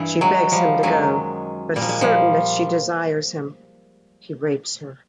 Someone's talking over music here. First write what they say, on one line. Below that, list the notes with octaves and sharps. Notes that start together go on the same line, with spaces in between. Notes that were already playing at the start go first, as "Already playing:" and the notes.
She begs him to go, but certain that she desires him, he rapes her.
Already playing: G2 E3
F#3 G#3
F3 G3
F#2 D#3 F#3 G#3
A#2 G3
F3
G#3
F3 G3